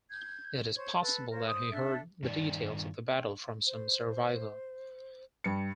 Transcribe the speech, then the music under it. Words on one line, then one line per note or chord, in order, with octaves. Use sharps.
It is possible that he heard the details of the battle from some survivor.
G6 G#6
C5 C#5 G#6
A4 B4
F4 A#4 C5 C#5
C5 D#6
D4 A4 E5
G2 D#3 D5
C5
G2 C#7